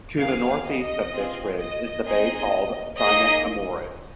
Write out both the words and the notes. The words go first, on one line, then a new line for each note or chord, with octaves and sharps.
To the northeast of this ridge is the bay called Sinus Amoris.
A#3 G#4 F5
D#5
C4 F4 G#4
D#5
C4 D#4 G#4 D#5
A#3 D#4 G#4 D#5